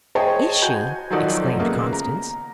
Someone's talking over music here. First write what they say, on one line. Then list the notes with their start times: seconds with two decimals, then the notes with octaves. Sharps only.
"Is she?" exclaimed Constance.
0.15 G#4 C5 C#5 D#5 G5 A5
0.62 F#4 G#5 G6
1.10 D#3 F3 F#3 D#4 A4 D5
1.59 C#3 A#3 B3
1.93 A#5